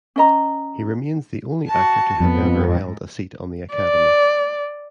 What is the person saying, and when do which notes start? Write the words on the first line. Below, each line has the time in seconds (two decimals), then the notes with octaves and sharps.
He remains the only actor to have ever held a seat on the Academy.
0.16 C#4 D#5 A#5
1.67 F#4 A5
2.20 F2 B3
2.67 G#2
3.74 D5